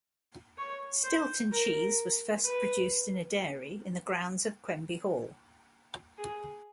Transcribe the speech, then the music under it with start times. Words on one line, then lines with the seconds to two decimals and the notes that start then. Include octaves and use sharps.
Stilton cheese was first produced in a dairy in the grounds of Quenby Hall.
0.58 C#5
1.04 C5
1.52 A#4
2.44 B4
6.18 G#4